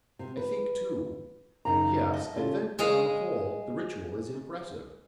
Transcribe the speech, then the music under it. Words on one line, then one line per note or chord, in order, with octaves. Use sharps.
I think too--yes, I think that on the whole the ritual is impressive.
C3
B4
F#2 C#3 D#4 A#5
D#5 E5 A5
C#3 F4 G4 A4
G#3 G#4 D#5 F5